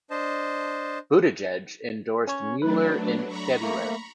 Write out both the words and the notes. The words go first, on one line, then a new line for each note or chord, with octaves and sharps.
Buttigieg endorsed Mueller in February.
D4 C5 D#5 A5
C#4 C#5
F#3 A3 D4 B4
A#5 B5 C#6
A3 A#3